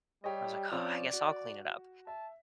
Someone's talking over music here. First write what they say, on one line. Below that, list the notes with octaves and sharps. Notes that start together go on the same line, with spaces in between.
I was like, "Oh, I guess I'll clean it up."
G3 G4 C#5 D#5
F3 C4 C#4 D5
F#4
E5 A5